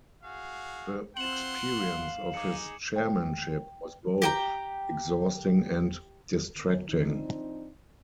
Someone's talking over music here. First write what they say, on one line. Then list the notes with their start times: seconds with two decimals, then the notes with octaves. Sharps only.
The experience of his chairmanship was both exhausting and distracting.
0.23 F#4 G#4 F5
1.17 C4 F4 F#5 C6 E7 F#7
1.79 F5
2.34 D#4 G#4 D6 C#7
2.96 G5
4.22 G4 G5 A#5
6.89 F3 C4 D4 D#4